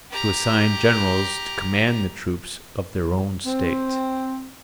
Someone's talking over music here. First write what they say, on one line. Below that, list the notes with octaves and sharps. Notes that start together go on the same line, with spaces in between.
To assign generals to command the troops of their own State.
G4 A#5
C4